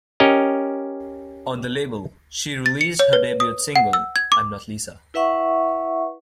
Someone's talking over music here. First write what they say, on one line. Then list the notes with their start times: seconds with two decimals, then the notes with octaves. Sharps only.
On the label, she released her debut single, I'm Not Lisa.
0.20 C#4 G4 A#4 D#5
2.66 A6
2.81 C#7
2.99 C#5
3.13 B4
3.40 D#6
3.76 F#5
3.93 E6
4.16 G#6
4.32 D6
5.14 E4 B4 E5 F#5 C#6